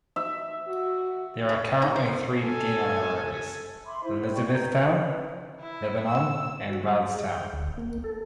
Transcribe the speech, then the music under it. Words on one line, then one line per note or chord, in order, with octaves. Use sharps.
There are currently three deaneries: Elizabethtown, Lebanon, and Bardstown.
E5
F#4
C#3
D#4
C5
A4 G#5
E5 B5 C6 D6
E4 C5 E5
D5 G5 C#6
D4 B4 A#5 G6
D#5
B4
E4
E6
F#4
G3
G#4
G5
D2
A#3
A4